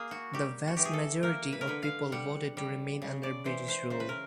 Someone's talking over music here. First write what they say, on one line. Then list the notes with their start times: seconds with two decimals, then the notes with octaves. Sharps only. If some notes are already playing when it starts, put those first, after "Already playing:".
The vast majority of people voted to remain under British rule.
Already playing: A#3 G#4
0.11 F#4
0.34 G3 G4
0.68 F#4
0.77 E3 G4
0.85 G#4
0.93 A4
1.23 A#3 A#4
1.53 B4
1.61 A#4
1.67 D3 B4
1.83 F5
2.12 G3 F#5
2.57 G3
3.02 C#3
3.23 D5
3.45 E3 C5
3.68 C5
3.90 C#3 C5
4.00 B4
4.09 A#4